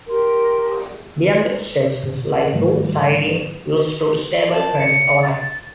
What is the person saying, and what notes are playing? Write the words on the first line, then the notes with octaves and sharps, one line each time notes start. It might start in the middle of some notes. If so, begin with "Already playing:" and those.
Beyond the station lie two sidings used to stable trains overnight.
G4 A#4 C6
G#2 D#3 F3 G3 A3
A5
C#7
A6